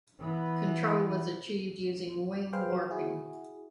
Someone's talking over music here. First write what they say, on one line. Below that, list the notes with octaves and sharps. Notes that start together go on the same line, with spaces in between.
Control was achieved using wing-warping.
E3 B3
G#4 B4 C5 F5 G5
F#3
E4 F#4 G#4